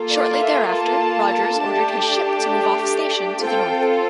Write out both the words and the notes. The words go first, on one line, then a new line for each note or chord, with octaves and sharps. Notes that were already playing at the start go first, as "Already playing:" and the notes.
Shortly thereafter Rogers ordered his ship to move off station to the north.
Already playing: A#3 F4 A4
D5
E5
A5
A3 D4 G4
C4 F4 A4 G5